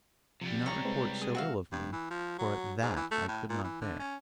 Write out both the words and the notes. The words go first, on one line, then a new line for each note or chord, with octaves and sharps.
Do not report so ill of me, for THAT I could not bear.
C3 F3 G3
C#5 A#5
G#3 C4 B4
G#4
F#4 E5 F5
G2
E3
F3
F#3
G#2
E3
A3
A2
A#2
E3
D3
C#4